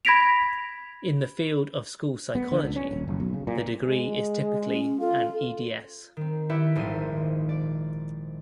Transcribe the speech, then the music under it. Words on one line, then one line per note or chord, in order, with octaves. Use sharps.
In the field of school psychology, the degree is typically an Ed.S.
B5 G#6 A#6 B6 D7 F7
B3
D3
C#2
C#4
D#1
F#1
B1
C#3
A#2
G#3
C#4
F4 A4
D#3 C4
E4 G4 B4 D5 E5 F#5
D#1 G#1 A#2 F3 C5 D#7
D5